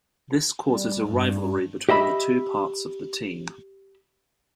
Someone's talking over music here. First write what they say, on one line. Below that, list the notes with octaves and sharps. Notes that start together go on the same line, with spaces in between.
This causes a rivalry between the two parts of the team.
G3
G2
G4 D#5 E5 B5